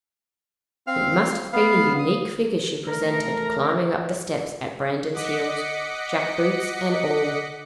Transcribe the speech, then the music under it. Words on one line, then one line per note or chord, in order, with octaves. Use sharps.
It must have been a unique figure she presented climbing up the steps at Brandon's heels, jack-boots and all.
C4 F5 F6
B3 F5
D#6
E3 A3 A#4 A#5
D#5 F#5 D6 B6 C#7